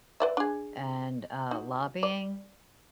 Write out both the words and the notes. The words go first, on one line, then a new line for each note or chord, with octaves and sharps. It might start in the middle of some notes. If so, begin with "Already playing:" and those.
and, uh, lobbying.
B4 D5 E5
D4 G#4
D#4 F#4
D5